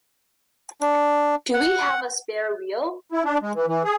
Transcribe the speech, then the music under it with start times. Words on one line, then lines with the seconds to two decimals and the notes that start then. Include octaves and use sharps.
Do we have a spare wheel?
0.81 D4
1.54 F#5
3.12 E4
3.25 D4
3.42 G#3
3.55 E3
3.67 E3
3.84 G#4